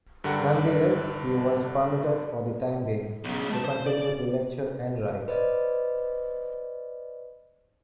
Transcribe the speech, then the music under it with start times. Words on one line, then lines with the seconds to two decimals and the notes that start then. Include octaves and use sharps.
Nonetheless, he was permitted, for the time being, to continue to lecture and write.
0.24 G2 D3 A#4 F#5 G5
3.24 B1 C#3
3.50 G#3 A5
3.64 C5
3.86 D5
5.28 B4 C5 D5 D#5